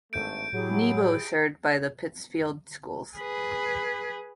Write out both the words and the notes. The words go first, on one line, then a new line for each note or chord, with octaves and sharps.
Nebo is served by the Pittsfield Schools.
G#1 G2 A3 G6 D7
A2 F#3 E4 G4 G#4
G#4 B4